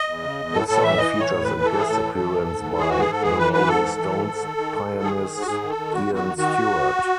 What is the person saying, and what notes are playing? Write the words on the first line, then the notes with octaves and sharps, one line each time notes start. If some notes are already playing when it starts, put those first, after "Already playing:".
The song features a guest appearance by The Rolling Stones pianist Ian Stewart.
Already playing: D#5
E2
C#3
E2
A2 A4
A2 A4
E3 E5
E3 D#5
A2
C#5
A2
E3 B4
E3
A4
A2
G#4
A2 A4
E3
E3
G#2
G#2
E3
E3 G#4
G#2 F#4
G#4
G#2 A4
E3 G#4
E3 B4
G#2 B4
G#2 A4
E3
E3
G#2
G#2
D#3
D#3
G#2
G#2
D#3 G#4
D#3
G#2
F#4
G#2 G#4
D#3
A4
D#3
E2 F#4
E2
F#4
D#3
D#3 F#4